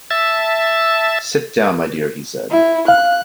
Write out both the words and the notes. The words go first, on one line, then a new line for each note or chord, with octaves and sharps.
"Sit down, my dear," he said.
E5 A5
E4
F5 F#6